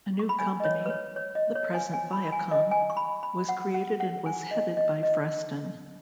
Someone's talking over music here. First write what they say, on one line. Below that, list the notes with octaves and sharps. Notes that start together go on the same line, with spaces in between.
A new company, the present Viacom, was created and was headed by Freston.
C#6
B5
G#5
D#5
C#5
B4
C#5
C#5
D#5
C#5
G#5
G#5
B5
G#5
D#5
G#5
C#6
B5
B5
F#5
F#5
F#5
G#5
D#5
D#5
D#5